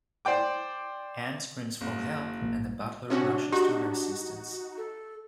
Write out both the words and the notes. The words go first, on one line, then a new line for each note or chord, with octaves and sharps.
Ann screams for help and a butler rushes to her assistance.
C5 D5 G5 D6
F#1
A#1 A#3
C3 C#4 D4 F#4
D#4 F#4 G4
A4